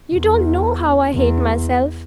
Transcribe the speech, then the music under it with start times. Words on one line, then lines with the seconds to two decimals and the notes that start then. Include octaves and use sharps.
'You don't know how I hate myself.
0.14 E2
1.15 E2